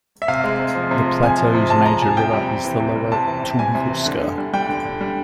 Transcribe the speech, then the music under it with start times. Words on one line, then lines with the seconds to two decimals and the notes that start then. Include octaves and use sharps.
The plateau's major river is the Lower Tunguska.
0.22 E5
0.28 C3 F5
0.44 G#3
0.60 C3
0.75 F3
0.91 C3
1.07 G#3
1.23 C3 G#5
1.38 F3
1.54 C3
1.70 G#3 A5
1.86 C3 A#5
2.01 F3 G#5
2.17 C3 G5
2.33 G3
2.49 C3
2.65 E3
2.80 C3
2.96 G3
3.12 C3 A5
3.28 E3
3.44 C3
3.59 G3 G#5
3.75 C3
3.90 E3
4.06 D3
4.22 D3
4.38 G3
4.53 G3 G5
4.69 D3
4.85 D3
5.01 G3